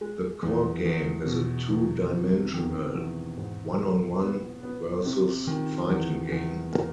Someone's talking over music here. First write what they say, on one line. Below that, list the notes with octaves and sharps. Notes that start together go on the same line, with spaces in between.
The core game is a two-dimensional, one-on-one, versus fighting game.
G#3
E2
E2
B2
E2
C3
D#3
E2
G#2
G#3
B3
B3
C3
D#3
E2
E2
A#3